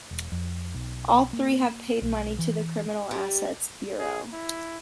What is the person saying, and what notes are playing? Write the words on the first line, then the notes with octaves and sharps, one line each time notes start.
All three have paid money to the Criminal Assets Bureau.
E1
F2
B1
A#3
B1
E3
G3
G#4
E4